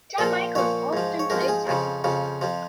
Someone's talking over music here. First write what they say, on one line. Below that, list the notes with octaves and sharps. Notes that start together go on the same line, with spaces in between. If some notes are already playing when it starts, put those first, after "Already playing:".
Dan Michaels often played saxophone.
A#2 F3 A#4
A#2 F3 C#5
G#2 F3
C#5
G#2 F3 A#4
F4
G#4
F2 C#3 F3
F2 C#3 F3
F2 F3